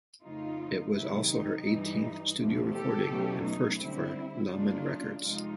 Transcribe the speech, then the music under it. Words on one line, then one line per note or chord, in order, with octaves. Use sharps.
It was also her eighteenth studio recording and first for Lamon Records.
F2 C#3 F3 A3 D#4 F4
C3 D#3 F#3 E4
D#4
G2 E3 G3
E2 C3 F3 A3
G4 A4
E2 B2 F#3 A3 C#4
D#4
D3 G3 C4 E4
C#3 F#3 A#3 D4 D#4 F4
F2 C3 F3 G#3 D#4 F4